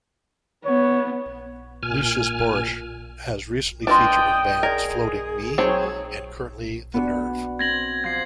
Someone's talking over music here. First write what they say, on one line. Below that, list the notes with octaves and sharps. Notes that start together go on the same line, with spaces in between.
Lucius Borich has recently featured in bands Floating Me, and currently the Nerve.
B3 C#5
A#2 G#5 F6
G#3 D4 F4 B4 D#5 G5 C6
G#4 A#4 D5 D#5
F#3 C4 D#4 G#4 C#5 F#5
B3 D4 F#4
C4 G#6 A#6 F#7
F3 G#6 C7